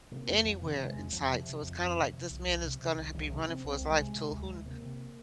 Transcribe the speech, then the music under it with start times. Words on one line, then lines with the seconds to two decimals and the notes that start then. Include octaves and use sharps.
anywhere in sight, so it's kinda, like, this man is gonna h be running for his life 'til who kn
0.11 C3 A#3
0.28 F2
0.45 F2 F3
0.62 C3 D#3
0.75 C3 F3
0.87 G#3
0.95 F2
1.12 F2 F3
1.29 C3
1.46 C3
1.63 F2
1.80 F2
1.96 C3
2.13 C3
2.30 C2
2.47 C2
2.64 C3
2.81 C3
2.97 C2
3.14 C2 D#3
3.31 C3 F3
3.48 C3 C4
3.64 C2 C4
3.81 C2
3.90 G#3
3.99 C3
4.15 C3
4.31 D2
4.49 D2
4.66 C3 A#3
4.82 C3